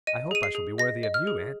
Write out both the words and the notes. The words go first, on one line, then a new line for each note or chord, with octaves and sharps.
'I hope I shall be worthy of YOU, aunt.
D#5 D#7
G#4 D#7
C7
G#4
D#5 A#6
D#5
F6
G#4